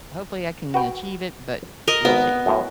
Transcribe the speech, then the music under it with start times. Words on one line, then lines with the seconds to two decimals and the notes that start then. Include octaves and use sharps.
hopefully I can achieve it, but we'll see.
0.74 F#4 B4 G5
1.88 A#4 D#5
2.05 G#1 B3
2.46 F#2 A2